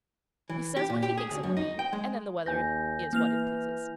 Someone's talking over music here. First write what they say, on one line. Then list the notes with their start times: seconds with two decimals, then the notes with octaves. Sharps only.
He says what he thinks it will be and then the weather is what it pleases.
0.50 E3
0.76 G4
0.90 A#2
1.03 G4
1.18 G#4
1.31 D2
1.43 F#2
1.57 D#4
1.79 G5
1.93 G#3
2.46 D#2 G#5 G6 A#6
3.13 E3 A#3 F6 F7